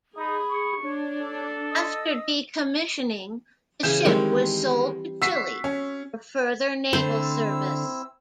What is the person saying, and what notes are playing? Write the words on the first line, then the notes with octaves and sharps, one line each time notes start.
After decommissioning, the ship was sold to Chile for further naval service.
D#4 G#4 B5 D#6
C#6
D4 C#5
A4
D#5 D#6 E6
C#3 E3 G6 E7
D#3 G3 G#3 C4
F#4 E6 B6 C7
C#4
D3 A3 C4 E4 C5 E6